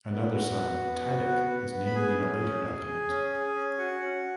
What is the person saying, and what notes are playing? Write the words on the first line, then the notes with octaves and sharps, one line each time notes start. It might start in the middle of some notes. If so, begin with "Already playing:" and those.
Another son, Tydech, is named in a later document.
B3
F#4
B3
B3
F#4
B3
B3
B3
B5
G#4 G#5
C#4
C#4
G#4
G#4
C#4
G#4
C#4
F#4 F#5
C#4